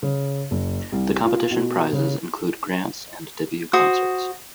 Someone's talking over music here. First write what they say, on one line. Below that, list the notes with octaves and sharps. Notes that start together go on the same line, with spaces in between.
The competition prizes include grants and debut concerts.
C#3
F#1
C2
F4
B2
C#3
F#4 C5 D#6